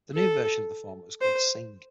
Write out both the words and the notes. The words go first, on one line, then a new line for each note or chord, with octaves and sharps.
The new version of the format was called Sing!
A4
C5